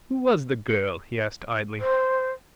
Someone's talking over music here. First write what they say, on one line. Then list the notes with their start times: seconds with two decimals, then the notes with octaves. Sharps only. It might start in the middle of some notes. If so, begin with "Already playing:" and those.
"Who was the girl?" he asked idly.
1.80 C5